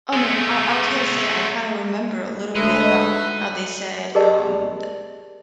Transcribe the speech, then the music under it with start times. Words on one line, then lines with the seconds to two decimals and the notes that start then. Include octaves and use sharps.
Oh, no, I I was gonna say I kinda remember a little bit about how they said, um, th
0.13 G#3 A3
2.55 D2 G#3 A3 D#4 B4 E5
4.15 G4 G#4 A#4 D5 D#5 A5